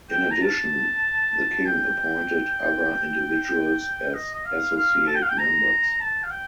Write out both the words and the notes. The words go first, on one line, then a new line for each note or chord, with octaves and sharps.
In addition the King appointed other individuals as associate members.
G5
A#5
A5
G5
D#5
D#5
F5
F5
A5
G5
F5
G5
A#5
A5
F5
G5